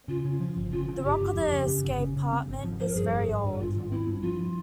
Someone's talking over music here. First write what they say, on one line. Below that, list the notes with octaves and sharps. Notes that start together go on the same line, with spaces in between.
The rock of the escarpment is very old.
C#3 F4
C#3
F3
G1
C#3 F4
C#3
G1 G4
G1
F2
C#3
C#3
G1
C#3
C#3
C4
G#1
F3
F3 C5
A#4
G2 G#4
G#1
G#1
G2
G#1 F4
G#1
C4 E4
G2
F3 F4